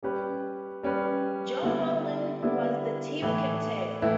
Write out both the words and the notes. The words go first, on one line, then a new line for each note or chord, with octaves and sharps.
John Weldon was the team captain.
G3 C#4 G4 B4
G3 C#4 G4 B4
D3 G3 B3 E4
D3 G3 B3 E4
A2 E3 A3 E4 B4
A2 E3 A3 E4 B4